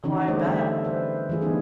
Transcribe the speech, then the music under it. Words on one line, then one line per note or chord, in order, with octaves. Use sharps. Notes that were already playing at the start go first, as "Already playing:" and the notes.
Oh, I bet.
D3 E3 C#4 D#4
G3 A3 G#4 C5 D5 D#5
C4 A4 E5
B4 C5
E3 G3 A3 E4 F4 G#4
B3 D4 D#4 G#4